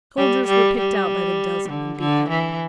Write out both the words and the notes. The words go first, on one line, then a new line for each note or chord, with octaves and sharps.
Soldiers were picked out by the dozen and beheaded.
G3
G3
G3
D3
D3
E3